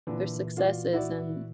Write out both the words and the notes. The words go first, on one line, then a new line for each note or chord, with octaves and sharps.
their successes, and
A#2 D3 E3
F4 F#4 D5
E4 F#4 D5